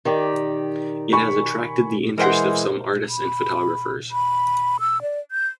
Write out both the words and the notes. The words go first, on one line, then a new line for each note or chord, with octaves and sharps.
It has attracted the interest of some artists and photographers.
D#3 G4 D5
G#5 B5 C#6
E3 G#3 A#4 C5 F#5
B5
B5
E6
D5
G6